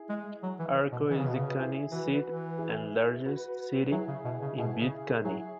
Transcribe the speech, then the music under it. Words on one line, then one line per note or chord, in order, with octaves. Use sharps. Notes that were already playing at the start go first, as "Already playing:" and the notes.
Arco is the county seat and largest city in Butte County.
Already playing: E4 G#4
G#3
F#3
E3
B2
E3
C#3
B2 F#4 B4
C#3
E4 G#4
E3 F#4 B4
E3
E4 G#4
F#4 B4
F#3 E4 G#4
C#3
B2
C#3
B2 E4 G#4
C#3
F#3 E4 G#4